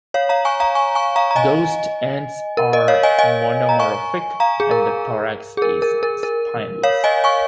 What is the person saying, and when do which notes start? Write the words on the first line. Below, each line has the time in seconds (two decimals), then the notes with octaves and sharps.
Ghost ants are monomorphic and the thorax is spineless.
0.14 C#5 F5
0.29 F5 A#5
0.45 G#5 C#6
0.60 F5 A#5
0.75 G#5 C#6
0.95 G#5 C#6
1.16 F5 A#5
1.31 A#5
1.36 D#5 G#5
2.57 A#4
2.73 A#4 D#5
2.88 C#5 F5
3.03 D#5 G#5
3.19 D#5 G#5
3.69 A#5
3.80 G#5 C#6
4.40 F5 A#5
4.60 G#4
4.71 A#4
5.57 G#4
5.62 A#4
5.82 A#4
6.03 A#4
6.23 A#4
6.83 C#5 F5
7.04 D#5 G#5
7.24 G#5 C#6